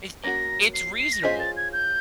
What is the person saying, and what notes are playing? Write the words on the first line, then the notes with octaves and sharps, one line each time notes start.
It's i it's reasonable,
A#3 C#4 F#4 A#4 A#6
C7
C7
A#6
C#4 F4 G#4 C5 D#5 B6
A6
G#6
G6